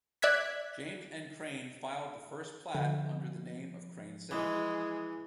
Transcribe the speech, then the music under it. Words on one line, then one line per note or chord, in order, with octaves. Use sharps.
James M. Crain filed the first plat under the name of Crain City.
D5 E5 F#6 G#6 B6
D3 F3 E5
E3 G#3